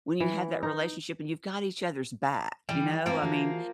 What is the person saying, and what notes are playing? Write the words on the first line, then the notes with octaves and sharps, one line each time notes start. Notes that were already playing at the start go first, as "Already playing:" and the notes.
when you have that relationship and you've got each other's back, you know? I mean,
E3
D#4
E3 G3 G#4
F3 A3 A#3 C4 C5
E3 F#4 G#4